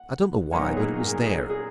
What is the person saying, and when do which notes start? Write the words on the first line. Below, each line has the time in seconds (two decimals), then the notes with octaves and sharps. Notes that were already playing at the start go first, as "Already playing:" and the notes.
I don't know why, but it was there.
Already playing: F#5
0.52 A#2 F#3 B3 D#4 C#5
0.77 G#4
1.01 A#4
1.25 G#4
1.50 G#4